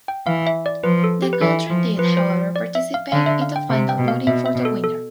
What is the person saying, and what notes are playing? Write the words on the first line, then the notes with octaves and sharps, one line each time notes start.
The country did however participate in the final voting for the winner.
G5
E3 F5
E5
D5
F3 B4
A4
G4
B4
E3 A4
F3
F3 B4
C5
D5
E5
F5
D3 F5
E5
F5
G5
C3
G5
B2
F5
B2 E5
E5
B2
A4
A4